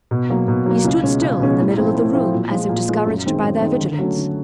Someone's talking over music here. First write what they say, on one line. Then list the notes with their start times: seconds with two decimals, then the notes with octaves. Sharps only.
He stood still in the middle of the room as if discouraged by their vigilance.
0.11 B2
0.29 F#3 A#3
0.48 B2
0.66 F#3 A#3
0.85 C#2
1.03 B2 G#3 C#4
1.21 C#2
1.39 B2 G#3 C#4
1.59 A2
1.77 F3 A3 C4 E4
1.95 A2
2.13 F3 A3 C4 E4
2.32 A#2
2.51 F3 G#3
2.69 A#2
2.88 F3 G#3
3.06 F#2
3.24 D#3 G#3 C4
3.43 F#2
3.61 D#3 G#3 C4
3.80 D3
3.99 F#3 A3 C#4 F#4
4.16 D3